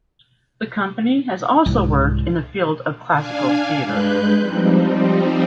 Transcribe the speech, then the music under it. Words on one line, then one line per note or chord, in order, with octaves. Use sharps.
The company has also worked in the field of classical theatre.
C2 G#2
D4 F5 G#5
G2 G#3 B4 F#6 G6
F3 G3 C4 D#4